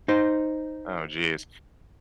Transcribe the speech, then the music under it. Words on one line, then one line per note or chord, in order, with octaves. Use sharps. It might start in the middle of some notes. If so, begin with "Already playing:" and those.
Oh, jeez.
D#4 C5